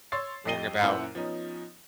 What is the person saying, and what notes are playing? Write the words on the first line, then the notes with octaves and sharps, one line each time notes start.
worrying about,
C#5 C6 E6 A6 C7
F2 G4 D#5 C7 D#7 G7
F#2 A#2 E4 C5 F#5
F3 B3 C#4 D#4